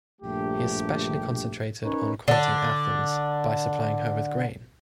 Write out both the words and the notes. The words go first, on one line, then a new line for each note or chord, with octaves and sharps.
He especially concentrated on courting Athens, by supplying her with grain.
A#1 G2 A3 G4
C#4 D#4 A#4 B4 C#5
D3 D4